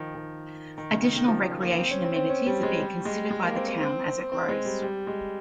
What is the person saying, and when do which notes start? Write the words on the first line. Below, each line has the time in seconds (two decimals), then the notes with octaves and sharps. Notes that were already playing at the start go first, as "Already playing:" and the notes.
Additional recreation amenities are being considered by the town as it grows.
Already playing: D#3 F3
0.15 D#3
0.78 D#3
0.90 C#3
1.03 D#3
1.16 D#3
1.28 F3
1.62 A#3
1.79 C4
1.91 C#4
2.04 C4
2.16 C4
2.30 C#4
2.46 G3
2.63 G#3
2.80 G3
3.05 G#3
3.31 G#3
3.43 A#3
3.56 C4
3.68 C4
3.81 C4
4.06 C4
4.32 C4
4.49 G#3
4.65 G3
4.82 G3
5.07 G#3